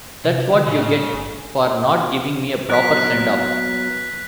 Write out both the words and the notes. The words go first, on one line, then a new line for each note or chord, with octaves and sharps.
That's what you get for not giving me a proper send off.
C3
D3
A2 C#3
G1
F#3 B3 A#4 F#6 B6